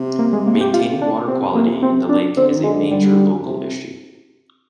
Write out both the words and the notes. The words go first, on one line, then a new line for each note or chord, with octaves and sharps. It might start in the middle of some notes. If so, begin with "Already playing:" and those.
Maintaining water quality in the lake is a major local issue.
Already playing: C3
A#3
G#3
A#3
G4
F4
D4
C3 C4
A#3
C4
D4
D3 C4
D#3
D3 G#3
G3
C3